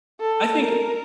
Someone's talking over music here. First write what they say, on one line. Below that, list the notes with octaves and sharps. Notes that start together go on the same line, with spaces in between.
I think,
A4
A#4